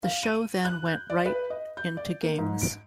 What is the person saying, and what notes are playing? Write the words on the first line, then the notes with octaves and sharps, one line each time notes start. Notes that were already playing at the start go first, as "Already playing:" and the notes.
The show then went right into games.
F5
D#7
F#6
G6
D5
B4
D#5
G6
D5
A#3
G#2
D7